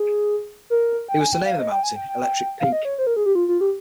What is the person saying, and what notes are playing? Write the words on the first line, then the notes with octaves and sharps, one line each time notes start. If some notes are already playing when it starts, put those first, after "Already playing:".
He was to name the mountain Electric Peak.
Already playing: G#4
A#4
G5
G#5
G5
F5
D#5
G5
G#5
G5
G5
G5
F5
D#5
C#5
C5
A#4
G#4
G4
F4
F4
G4